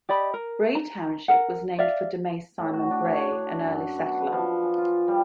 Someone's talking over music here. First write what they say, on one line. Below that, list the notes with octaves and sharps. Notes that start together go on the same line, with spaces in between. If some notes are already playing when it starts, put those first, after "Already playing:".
Bray Township was named for Damase Simon Bray, an early settler.
G4 D5 D#5 B5
A#4
A#5
A#4 F#5
D5 E5 F5
A2
F#4
D4
C#5
D4
F#2
B2
B4
F3
G#5
F4
G3